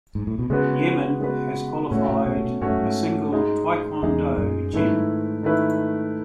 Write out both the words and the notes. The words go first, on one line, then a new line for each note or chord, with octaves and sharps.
Yemen has qualified a single taekwondo jin.
G#2
A2
B2
C#3 G#3 B3 F#4 B4
G#3 B3 F#4 B4
A2 A3 C#4 F#4 C#5
A2
B2
A2
B2
G#2 A3 C#4 F#4 C#5
F#2
G#2
G#3 D#4 G#4
E2 G#3 D#4 G#4
F#2
G#2 D#3 A3 E4 B4
D#3 A3 E4 B4